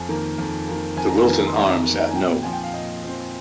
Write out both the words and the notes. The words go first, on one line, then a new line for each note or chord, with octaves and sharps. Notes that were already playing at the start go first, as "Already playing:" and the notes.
The Wilton Arms at no.
Already playing: F2 G#5
D#3 A#3
F2
D#3 A#3
F2 G#5
A#5
G#5
D#3 A#3
C6
F2 A#5
D#3 A#3
G#5
A#2 G5
F3 C4 G#5
G5
F5
A#2 D#5
F3 C4